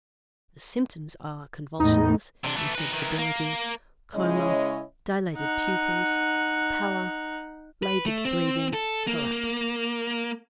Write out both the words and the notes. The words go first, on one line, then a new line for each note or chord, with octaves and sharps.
The symptoms are convulsions, insensibility, coma, dilated pupils, pallor, laboured breathing, collapse.
E2 A2 D#4
C3 D4
E3 A3
D#4 B4
D#3 E3
A#3
C#3 G#3 C#4 E4 C#5 D#5
D#4 F#5
B4
A3
C4
A4
A#3